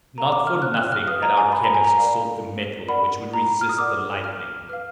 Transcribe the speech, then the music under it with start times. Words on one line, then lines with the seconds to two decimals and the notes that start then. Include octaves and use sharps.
Not for nothing had our chemists sought the metal which would resist the lightning.
0.17 A#4 F5 A#5
0.32 D6
0.47 F6
0.62 F#6
0.77 F#6
0.92 F6
1.08 B4 F5 D#6
1.23 A#5
1.37 G#5
1.52 B5
1.64 A#5
1.74 G#5
1.84 A#5
1.98 A#4 D5 F5
2.88 A#4 D5 F#5 B5
3.34 A#5
3.61 F6
3.69 D#6
3.78 A#4 D5 F#5 D6
4.24 F6
4.69 B4 F5 F6